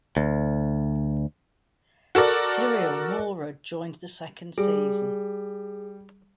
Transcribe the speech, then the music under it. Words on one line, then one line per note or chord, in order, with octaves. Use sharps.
Tiriel Mora joined the second season.
D2
F#4 A4 A#4 D5
G3 G#4